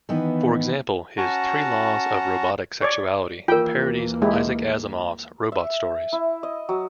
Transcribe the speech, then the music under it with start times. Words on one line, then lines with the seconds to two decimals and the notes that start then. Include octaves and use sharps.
For example, his "Three Laws of Robotic Sexuality" parodies Isaac Asimov's robot stories.
0.09 D#3 E3 B3
1.17 C#4 F#4 F#5 A5 A#5
2.82 C#5 D5
3.48 D#2 E3 A#3 F4 A#4 G5
4.22 G#3 E4 G4
5.52 E5
6.13 E4
6.43 D#5
6.69 F#3